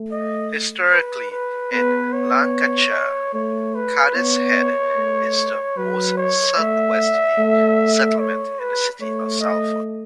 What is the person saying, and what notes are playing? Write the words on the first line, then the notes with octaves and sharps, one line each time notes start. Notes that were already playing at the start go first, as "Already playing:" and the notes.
Historically in Lancashire, Cadishead is the most southwesterly settlement in the city of Salford.
Already playing: A3
D#5
B4
B4
B3 B4
C#5
A3 C#5
B4
B3 C#5
A3
F#3 B4
C#5
A3 E5
A3
C#5
B4
A3 C#5
D#5